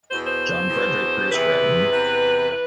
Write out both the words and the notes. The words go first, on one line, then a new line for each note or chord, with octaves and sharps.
John Frederick Bruce Gretton.
E2 B2 C5
C5
E2 B2
E2 C3 E3 B4
E2 C3 E3
E3 B4